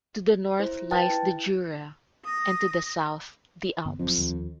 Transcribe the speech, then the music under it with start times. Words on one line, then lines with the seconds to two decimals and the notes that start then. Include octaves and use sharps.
To the north lies the Jura and to the south the Alps.
0.59 E4 C5
0.91 B4 G5 A5 A6
1.10 E4
2.25 D#6 A#6
3.85 G2 D3 B3
3.99 E1 F2 F#3
4.18 D#2 D#3 F3